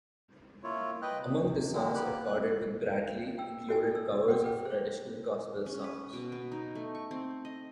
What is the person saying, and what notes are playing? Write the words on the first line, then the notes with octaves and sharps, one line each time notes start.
Among the songs recorded with Bradley included covers of traditional gospel songs.
A#3 E4 F4 C#5
B4 D#5 G5 F#6
C3
A#2 D3 D#3 G#3
A#3 B3 G4 F#6
F#6
G5 E6
F#4 A4 D#5 G5 G#5
A4 E6
F#5 G5 C6 D6
A4 B4 G5
G#4 C5
C#4
B4
B2
B3
D#4
A3
C#6
C4
D#5